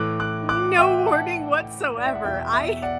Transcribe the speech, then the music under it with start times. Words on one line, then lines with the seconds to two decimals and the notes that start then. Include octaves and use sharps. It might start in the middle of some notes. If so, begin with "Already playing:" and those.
No warning whatsoever. I
Already playing: A2 E3 D6 F#6
0.20 D6 F#6
0.49 D6 F#6
0.78 E5 G5
1.07 F#5 A5
1.97 D5
2.06 E5
2.15 F#5
2.24 E2 B2 E5 G5
2.53 E5
2.82 D5 F#5